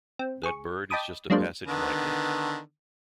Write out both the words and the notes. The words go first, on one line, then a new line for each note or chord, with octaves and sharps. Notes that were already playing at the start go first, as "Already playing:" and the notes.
That bird is just a passage migrant.
C4
G#4 C#6
D#5 G5 A5 B5 D6 D#6
F#3 G#3 A#3 D4 C5
D3 D#3 B3